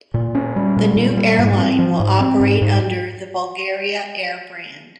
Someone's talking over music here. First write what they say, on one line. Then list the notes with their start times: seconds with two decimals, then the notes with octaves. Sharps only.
The new airline will operate under the Bulgaria Air brand.
0.14 A#2
0.35 C#4
0.56 G3
0.77 A#2
0.96 A#2
1.17 G3
1.38 G#2
1.59 C4
1.79 F3
2.00 G#2
2.21 C4
2.40 G#2
2.62 G#2